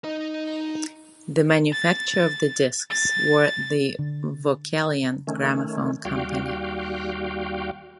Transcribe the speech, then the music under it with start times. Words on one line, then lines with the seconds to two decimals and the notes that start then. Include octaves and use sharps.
The manufacturer of the discs were the Vocalion Gramophone Company.
0.04 D#4 D#5
1.73 A6
2.91 A6
3.99 D3
5.27 D#3 A3 C#4
6.05 D#2 G3 F#4 F5 G5